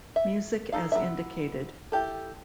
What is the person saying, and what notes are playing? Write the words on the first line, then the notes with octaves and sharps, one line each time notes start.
Music as indicated.
E5
D#4 A4 F5
F#3 E4 E5
E4 G4 A4